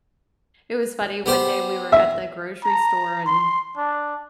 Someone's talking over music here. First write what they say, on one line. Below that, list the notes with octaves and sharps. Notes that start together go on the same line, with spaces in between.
it was funny, one day, we were at the grocery store, and
B3 G4 C5
E5
A#5
C6
D4